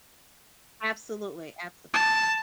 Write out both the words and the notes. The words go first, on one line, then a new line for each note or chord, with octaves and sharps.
Absolutely, abso
A5